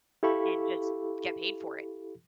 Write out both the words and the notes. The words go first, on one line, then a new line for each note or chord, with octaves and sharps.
And just get paid for it.
E4 G4 A4 F5 B5 C#6